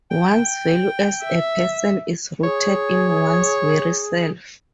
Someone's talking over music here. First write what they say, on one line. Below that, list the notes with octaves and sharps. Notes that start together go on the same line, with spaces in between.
One's value as a person is rooted in one's very self.
G5
E5
G#4 C#5